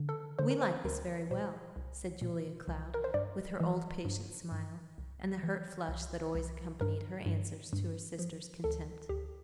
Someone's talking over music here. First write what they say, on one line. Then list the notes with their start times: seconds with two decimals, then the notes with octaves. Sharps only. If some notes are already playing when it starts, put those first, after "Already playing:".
"We like this very well," said Julia Cloud with her old patient smile and the hurt flush that always accompanied her answers to her sister's contempt.
Already playing: D3
0.09 A4
0.39 D3 C5
0.51 A#4
0.62 C5
0.84 D2 A#4
1.31 A#2 C5
1.76 C2
2.22 A#2
2.68 C2
2.94 A#4
3.04 C5
3.14 G2 D5
3.60 E3
4.05 G2
4.52 G2
4.98 C2
5.43 E3
5.88 C2
6.35 C2
6.81 G2 A#4
7.26 G2
7.73 G2
8.19 F3
8.64 D2 A4
9.09 D2 G4